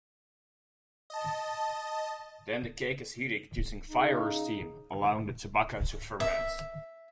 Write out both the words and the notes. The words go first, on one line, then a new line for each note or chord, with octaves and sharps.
Then the cake is heated using fire or steam, allowing the tobacco to ferment.
D#5 A5
C#3 D#4
E5